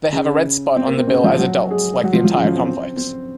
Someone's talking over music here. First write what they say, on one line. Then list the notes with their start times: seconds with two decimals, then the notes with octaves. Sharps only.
They have a red spot on the bill as adults, like the entire complex.
0.12 C#3 C#4
0.76 C4
0.87 A#3
0.98 C4
1.07 C#3 C#4
1.23 F3 F4
1.39 F#3 F#4
1.71 G#3 G#4
2.03 F#3 F#4
2.13 F3 F4
2.24 F3 F4
2.34 C#3 C#4
2.44 F3 F4
2.56 C4
2.66 C4
2.97 C4